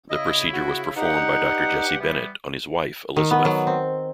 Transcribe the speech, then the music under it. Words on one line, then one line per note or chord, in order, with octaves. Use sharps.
The procedure was performed by Doctor Jesse Bennett on his wife Elizabeth.
C#3 E4 D#5
F#4
G2 D#4 G4 F#5
E3 G3 B3
D#3
B3
F#3
C4